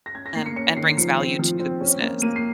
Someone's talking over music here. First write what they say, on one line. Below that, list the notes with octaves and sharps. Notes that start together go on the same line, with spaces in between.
and and brings value to the business.
A#6
C#4 G#6
A#6
A#3 C7
C#7
C#4 C#7
D#3 C7
C7
F3 C#7
C4
F3
C4
C#4
A#3
A#3 D#7
C7